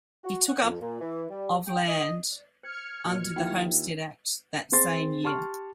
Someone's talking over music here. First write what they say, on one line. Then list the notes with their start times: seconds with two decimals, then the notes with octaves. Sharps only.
He took up of land under the homestead act that same year.
0.24 F#4
0.48 F#5
0.62 F2
0.81 A#2
1.01 E3
1.30 G3
1.67 G5
1.88 D#5
2.63 C5 F6 G#6 C#7
3.05 A#2 F#4 D#5
3.36 D#2 E4 F4 F#5 G5
4.72 C4 G#4 C6 A6
5.24 G4 A5 C6 C#6 F6